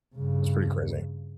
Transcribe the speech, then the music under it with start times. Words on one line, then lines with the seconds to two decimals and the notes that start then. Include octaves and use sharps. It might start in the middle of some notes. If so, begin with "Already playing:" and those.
It's pretty crazy.
0.16 G2 C#3